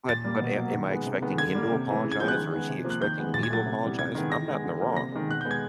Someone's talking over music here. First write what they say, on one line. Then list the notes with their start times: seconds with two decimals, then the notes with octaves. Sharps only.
but but a am I expecting him to apologize, or is he expecting me to apologize? I'm not in the wrong.
0.09 A#2 A6
0.24 G3 A#3
0.41 B2
0.57 F#3 A#3
0.73 D#3
0.90 G#3 B3
1.06 C3
1.22 D#3 G#3 B3
1.38 D3 G#6
1.55 G3 A#3
1.72 C3
1.88 E3 A3
2.04 C#3
2.12 G#6
2.19 F3 G#3 B3 G6
2.28 F#6
2.36 D#3
2.53 G#3 B3
2.69 C3
2.84 F3 A#3
2.90 F#6
3.01 D#3 G6
3.18 G#3 B3
3.34 A#2 A6
3.43 G#6
3.50 F#3 A3 A6
3.66 C3
3.83 E3 G3 B3
3.99 C3 G#6
4.15 D#3 G#3 B3
4.32 D#3 A#6
4.48 G#3 B3
4.64 D3
4.80 F3 A#3
4.96 C3 A#6
5.12 D#3 G#3
5.29 B2 F#6
5.41 G#3 B3 G6
5.51 G#6